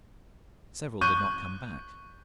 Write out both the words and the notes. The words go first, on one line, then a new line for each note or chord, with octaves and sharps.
Several did not come back....
C#6 F#6 G6 D#7